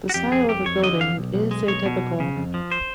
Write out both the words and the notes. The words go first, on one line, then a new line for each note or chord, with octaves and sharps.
The style of the building is atypical.
F#4
F2 G4
F2 G#4
F2 G4
F2 C#5
D3 D#5
F2 F5
B1
B1
G#3
B1 C#5
B2
B1
C#3
F2
F3
C5